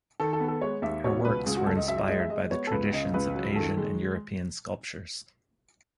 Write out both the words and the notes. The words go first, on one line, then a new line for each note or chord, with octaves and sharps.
Her works were inspired by the traditions of Asian and European sculptures.
D#3 A4
A4
B3
A4
G#3 C#5
D#2 E5
B2 C#5
C#2 B4
C#2 G#4
F#4
C#2 A4
D#5
F#2 E5
D#5
G#3 D#5
E5
G#3 D#5
B3 C#5
A4
C#2 B4
C#3 D#5
C#2 B4
F#3
D#3 A4
G#3